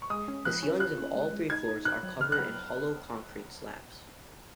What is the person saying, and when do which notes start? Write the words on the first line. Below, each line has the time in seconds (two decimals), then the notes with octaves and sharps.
The ceilings of all three floors are covered in hollow concrete slabs.
0.02 C#6
0.10 G#3 D#6
0.28 C#4
0.45 F3 F#6
0.63 C#4
0.80 F4 F#6
0.98 C#4
1.15 G#3
1.33 G#3
1.50 D#4 G#6
1.68 D#4
1.85 D#4 F#6
2.03 F#3
2.20 C#3 F6
2.32 F#6
2.38 B3